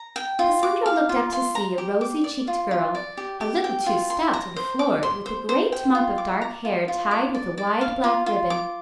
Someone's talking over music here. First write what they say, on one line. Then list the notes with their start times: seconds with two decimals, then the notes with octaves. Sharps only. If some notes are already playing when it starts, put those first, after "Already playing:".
Cassandra looked up to see a rosy-cheeked girl, a little too stout and florid, with a great mop of dark hair tied with a wide black ribbon.
Already playing: A#5
0.16 G5
0.39 F4
0.63 D6
0.86 F5
1.09 F4
1.32 C6
1.55 A#5
1.78 G4
2.01 D6
2.24 D5
2.48 F4
2.71 F4
2.95 D5
3.17 G4
3.41 G4
3.64 G5
3.86 F4
4.10 C6
4.33 A#5
4.56 C5
4.79 D6
5.03 C6
5.26 C5
5.49 C5
5.72 G5
5.95 F4
6.18 D6
6.42 A#5
6.65 F4
6.88 F4
7.11 D6
7.35 D5
7.58 D5
7.81 F5
8.04 F4
8.26 F4
8.50 D6